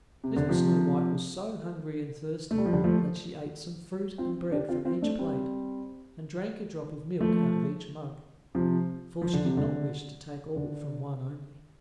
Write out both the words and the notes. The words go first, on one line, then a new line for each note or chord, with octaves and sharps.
Little Snow-white was so hungry and thirsty that she ate some fruit and bread from each plate, and drank a drop of milk out of each mug, for she did not wish to take all from one only.
C3
D3
C3 F3
A3
G3
F3
D3 G3
F3 A3
C4 F4
D4 G4
C4 F4
C4 F4
A3 D4
G3 C4
F3 A3
C3 F3
F3
D3
C3
D3
D3